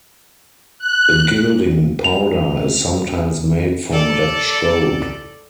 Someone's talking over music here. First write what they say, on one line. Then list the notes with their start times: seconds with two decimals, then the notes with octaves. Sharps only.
A gilding powder is sometimes made from Dutch gold.
0.79 F#6
2.04 F7
3.92 A4 D5